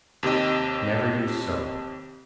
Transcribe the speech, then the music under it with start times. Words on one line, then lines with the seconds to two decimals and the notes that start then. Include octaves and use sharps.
Never use soap.
0.23 D#2 C3 G4 D#5